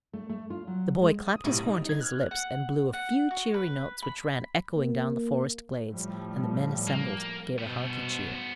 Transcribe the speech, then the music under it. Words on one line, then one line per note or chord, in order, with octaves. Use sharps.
The boy clapped his horn to his lips and blew a few cheery notes which ran echoing down the forest glades, and the men assembled gave a hearty cheer.
A3
A3
F4
F#3
G#3
D#6
B1 A2 C3
G3 D#4
D#4 G#6
F6 F#6
F#5
F#5
F#4
B4
B5
A#3
A2 F3 G3
A#3
G2 B2 B3 C5